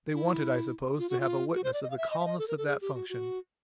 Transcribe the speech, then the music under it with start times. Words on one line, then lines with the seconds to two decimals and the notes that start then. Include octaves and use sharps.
They wanted, I suppose, to have a witness of the calmness of that function.
0.14 E4
0.99 F4
1.09 F#4
1.20 F4
1.55 F#4
1.64 C5
1.74 D5
1.83 D#5
1.90 F5
1.97 E5
2.11 D#5
2.19 E5
2.25 D#5
2.39 A4
2.48 A#4
2.58 A4
2.67 G#4
2.81 G4
2.95 F#4
3.09 F#4